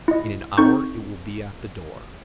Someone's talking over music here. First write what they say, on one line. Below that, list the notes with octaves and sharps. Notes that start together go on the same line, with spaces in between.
"In an hour it will be at the door."
E4 D#5
C4 D#4 A4 C#6 G6